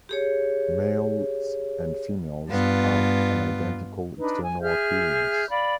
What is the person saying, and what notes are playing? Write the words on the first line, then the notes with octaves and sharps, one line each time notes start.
Males and females have an identical external appearance.
G4 G#4 C#5
G2 B3 F4
D4 D#4 B4
G#5
G#4 E5 F6 G6
D5 F5 B5